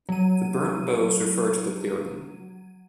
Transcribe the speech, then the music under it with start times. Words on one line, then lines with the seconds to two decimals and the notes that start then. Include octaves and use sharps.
The burnt boughs refer to the clearing.
0.09 F#3 D#7